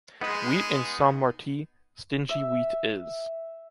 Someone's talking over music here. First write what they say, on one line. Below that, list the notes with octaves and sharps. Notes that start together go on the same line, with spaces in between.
Wheat in Saint Martí, stingy wheat is.
G#3 B3 D#4 B4
E5